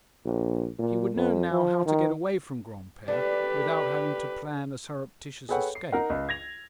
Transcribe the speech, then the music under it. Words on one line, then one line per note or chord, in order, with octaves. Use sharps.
He would know now how to get away from Granpere without having to plan a surreptitious escape.
A#1
A#2
F2
F3
D#3
D4 G4 A4 B4
G#4 A4 B4 C#5 F#5 G5
C7
D#4 A#4 F#5
C#2
G#6 A#6 F7